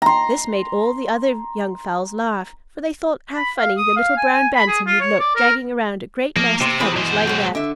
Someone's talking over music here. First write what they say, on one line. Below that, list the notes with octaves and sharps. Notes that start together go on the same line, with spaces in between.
This made all the other young fowls laugh, for they thought how funny the little brown Bantam would look dragging around a great mass of feathers like that.
A#5 C6
B5
F5
D#6
F5
G#5
G#5
B5
G#4
F4
C#5
D5
A#4
F3 A#3
C3 A#3 C6
E2 G#4 B5
B2 C5
F#3 G#3
D3 E5